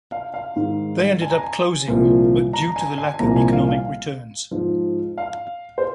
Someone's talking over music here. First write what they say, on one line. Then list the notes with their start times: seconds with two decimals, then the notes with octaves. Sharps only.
They ended up closing, but due to the lack of economic returns.
0.12 F5
0.34 F5
0.56 G#2 D#3
1.22 G#5
1.30 A#5
1.39 G#5
1.88 C2 A#2 F3
2.53 A#5
2.76 G#5
2.98 G#5
3.14 G#5
3.19 C2 A#2 F3 A#5
3.36 G#5
3.53 F5
3.69 F5
4.51 G#2 F3
5.18 F5
5.78 C5